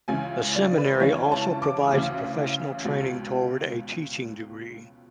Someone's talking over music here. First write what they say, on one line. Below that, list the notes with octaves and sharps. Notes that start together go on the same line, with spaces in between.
The seminary also provides professional training toward a teaching degree.
C#2 C#3 E3 G#5
D5
B4
C#2 C#3 E3 C#5
A5
D6
D2 C#3 E3
C#2 B2